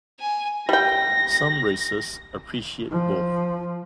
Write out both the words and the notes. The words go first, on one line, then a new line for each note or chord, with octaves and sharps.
Some races appreciate both.
G#5
G3 G5 A#6
F3